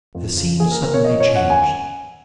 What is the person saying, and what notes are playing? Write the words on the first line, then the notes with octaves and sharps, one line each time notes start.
The scene suddenly changed.
F2
C#3
A#3 G#4
A#4
C#3 A#4
C#5
F3 D#5
C#5
C#4
F#5
G#5